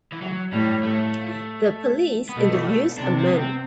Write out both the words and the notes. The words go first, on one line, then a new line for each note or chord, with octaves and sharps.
The police interviews a man.
E3
F#3
A2 G3
A3
B3
B2 A3
C3 D4
C4
B3
C4